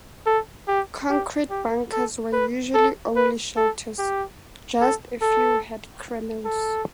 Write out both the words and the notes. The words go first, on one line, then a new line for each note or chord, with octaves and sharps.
Concrete bunkers were usually only shelters; just a few had crenels.
A4
G4
G4
G4
A4
B4
A4
B4
A4
G4
A4
A4
A4